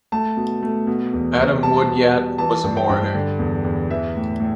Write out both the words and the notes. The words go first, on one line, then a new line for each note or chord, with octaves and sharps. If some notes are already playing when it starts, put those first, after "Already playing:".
Adam Woodyatt was a mourner.
A3 A5
B2
A3
B2
E2
E2
G3 A5
B2
G3
E3 A5
G2
G5
G2
D3
E2
E2
E3 E5
A2
A2